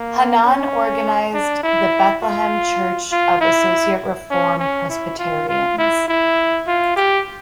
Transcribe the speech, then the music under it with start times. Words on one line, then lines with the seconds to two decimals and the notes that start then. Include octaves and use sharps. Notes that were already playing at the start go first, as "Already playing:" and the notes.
Hannan organized the Bethlehem Church of Associate Reform Presbyterians.
Already playing: A#3
0.45 C#4
1.34 D4
1.63 E4
2.22 F4
3.12 F4
3.41 E4
4.30 C#4
4.59 C#4
4.90 E4
5.19 F4
5.49 F4
5.78 E4
6.08 E4
6.67 F4
6.96 G4